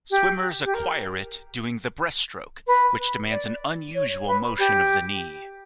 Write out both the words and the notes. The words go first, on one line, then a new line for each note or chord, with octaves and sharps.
Swimmers acquire it doing the breaststroke, which demands an unusual motion of the knee.
G4
G4
A#4
B4
D5
C#5
B4
G4